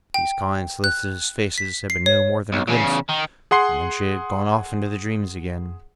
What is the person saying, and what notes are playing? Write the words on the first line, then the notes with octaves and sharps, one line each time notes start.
These kind, solicitous faces had been no more than a glimpse, and then she had gone off into the dreams again.
G5
F#6
B6
C7
C#5
B1
E2 C#3
D#3
G#4 F#5 C6 C7